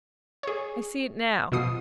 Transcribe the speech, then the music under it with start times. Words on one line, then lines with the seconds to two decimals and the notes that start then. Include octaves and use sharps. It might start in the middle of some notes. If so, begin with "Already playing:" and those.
I see it now.
0.43 G#4 C#5
1.52 B2 F3 D#6 C7